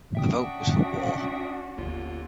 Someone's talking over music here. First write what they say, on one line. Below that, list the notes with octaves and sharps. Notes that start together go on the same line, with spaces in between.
The vote was for war.
C#4 D4 F#4 E5 G5 D#6
G1 D#2 F4